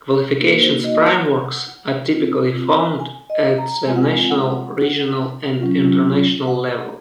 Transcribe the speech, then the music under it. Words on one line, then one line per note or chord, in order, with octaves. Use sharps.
Qualifications Frameworks are typically found at the National, Regional, and International level.
A#3 D#4 F#4 A#4
C5
D#5
F#5
C4 F4
G#5
D#5
A#5
G#3 C4 F4 G#5
F#5
G#5
F#5
F#3 C#4 F4
F#5